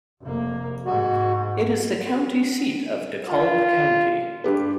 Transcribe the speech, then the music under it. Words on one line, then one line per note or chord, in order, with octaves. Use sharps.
It is the county seat of DeKalb County.
F1 A#3
G#2 F#4
F4
G2 G4 B4